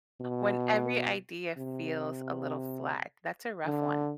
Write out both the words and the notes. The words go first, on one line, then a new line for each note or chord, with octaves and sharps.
when every idea feels a little flat. That's a rough one.
B2
C3
D3